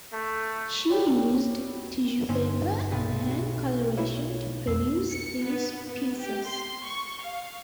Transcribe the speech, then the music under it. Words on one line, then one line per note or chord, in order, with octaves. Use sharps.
She used tissue paper and hand colouration to produce these pieces.
A3
F#3 G3
G2 D3 C4 C#4 D#4 C5
B1 A6 D#7
F#4
A#3 E4 C#5
F2 E6 C7
C#7
B3
B3
G4
C6
C#6
F5